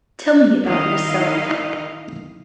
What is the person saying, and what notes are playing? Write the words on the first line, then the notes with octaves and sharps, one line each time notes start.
Tell me about yourself.
D#3 E4 D#5 F5